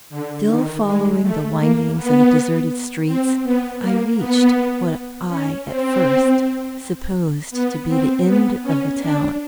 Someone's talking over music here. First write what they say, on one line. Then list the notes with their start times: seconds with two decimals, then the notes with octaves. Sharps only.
Still following the windings of the deserted streets, I reached what I at first supposed to be the end of the town.
0.10 D3
0.47 D#3
0.84 G#3
1.21 A3
1.58 A#3
1.95 B3
3.06 C4
3.43 B3
3.80 A#3
4.18 B3
5.28 C#4
5.65 C4
7.51 B3
7.88 C4
8.24 B3
8.62 C#4
8.99 D4